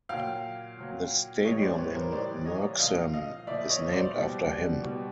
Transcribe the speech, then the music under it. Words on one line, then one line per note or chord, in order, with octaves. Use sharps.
The stadium in Merksem is named after him.
A#2 F#3 F5 G5
A#2 F#3
A2 E3 G3 C#5 D#5
C5 D5
B4 C#5
A#4 C5
A2 E3 G3 C5 D5
C#5 D#5
A#2 F3 D#5 F5
D#5 F5
A#2 F3 D5 E5
C#5 D#5
C5 D5
B2 G3
B2 G3